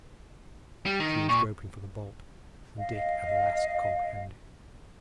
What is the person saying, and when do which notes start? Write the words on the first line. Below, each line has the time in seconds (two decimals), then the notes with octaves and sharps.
She was groping for the bolt, when Dick at last comprehended.
0.86 G3
1.00 D#3
1.29 A#2 C#6
2.78 D#5 F5